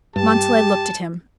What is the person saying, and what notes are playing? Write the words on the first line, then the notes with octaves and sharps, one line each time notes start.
Montalais looked at him.
G2 G4 A5